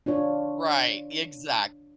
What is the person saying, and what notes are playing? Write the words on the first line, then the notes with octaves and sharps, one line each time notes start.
Right, exact
D4 F4 C#5